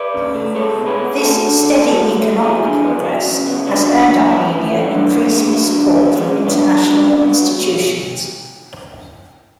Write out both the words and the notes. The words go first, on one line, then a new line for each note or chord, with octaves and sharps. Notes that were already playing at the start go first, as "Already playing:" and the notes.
This steady economic progress has earned Armenia increasing support from international institutions.
Already playing: B4 D5
C#3
A3
G#3 A4 C#5
B2
G#4 B4
B3
A3 F#4 A4
D3
D3
E3 F#4 A4
A2
A3
F#3 E4 G#4
D3
B3
F#3
C#3
B3
F#3 D4 F#4
D3
B3
E3 C#4 E4
A2
A3
E3 B3 D4
A2
G#3
F#3
D3
B3
G#3 C#4
B2
B3 D4
B3
F#3 B3 D4
C#3
B3
F#3
B2